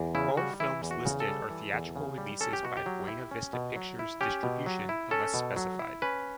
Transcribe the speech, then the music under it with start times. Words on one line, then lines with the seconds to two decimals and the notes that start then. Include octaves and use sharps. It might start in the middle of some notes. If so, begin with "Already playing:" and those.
All films listed are theatrical releases by Buena Vista Pictures Distribution unless specified.
Already playing: E2
0.15 C#3 E4
0.37 G3 F#4
0.60 E3 E4
0.83 E2
0.91 F#4
1.05 C#3
1.20 A4
1.28 G3
1.50 E3
1.73 E2
1.96 C#3
2.18 G3
2.41 C#4 A4
2.53 G4
2.63 B2 F#4
2.77 G4
2.86 F#3
3.08 E4
3.31 C#4
3.53 B2
3.76 F#3
3.99 E4
4.21 C#4 G4
4.43 B2
4.66 F#3
4.89 E4
5.11 C#4 A4
5.34 B2
5.56 F#3
5.79 E4
6.02 C#4 B4